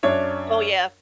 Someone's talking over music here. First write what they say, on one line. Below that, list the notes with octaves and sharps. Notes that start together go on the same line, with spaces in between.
Oh, yeah.
F#2 D4 C#5 E5